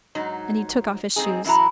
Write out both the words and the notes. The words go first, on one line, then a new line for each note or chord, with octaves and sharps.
And he took off his shoes.
G#2 F#3 D#4
G#2 C4 D#4 G#4
F#2 E3 E4 F#4 A#5